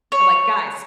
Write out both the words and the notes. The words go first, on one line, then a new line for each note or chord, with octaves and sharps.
I'm like, "Guys,
C#5